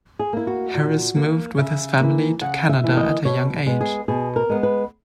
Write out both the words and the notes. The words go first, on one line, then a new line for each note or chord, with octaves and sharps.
Harris moved with his family to Canada at a young age.
G#4
A#3 E4
F#4
A#2
A#3
C#3 E5
E3 A#3
C#3 F#5
E5
E3 A#3
D#5
B2 C#5
G#3 B3
G#4
B2 G#4
A#4
G#3 B3
B4